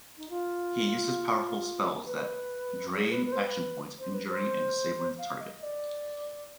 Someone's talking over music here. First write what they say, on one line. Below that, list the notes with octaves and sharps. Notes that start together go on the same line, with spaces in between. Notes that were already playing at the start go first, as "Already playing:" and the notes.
He uses powerful spells that drain Action Points, injuring and disabling the target.
D#4
F4
B4
G#4
B4
B4
C5
B4
C5
B4
C5
F5
D#5
D5